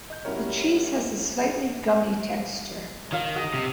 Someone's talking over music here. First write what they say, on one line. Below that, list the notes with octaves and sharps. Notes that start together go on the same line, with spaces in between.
The cheese has a slightly gummy texture.
D#5 G6
G3 C#4 E4 F#4 A#4 C#5
D#3 C#4 F4 F5
F#4 G#4 D#5
G2 C3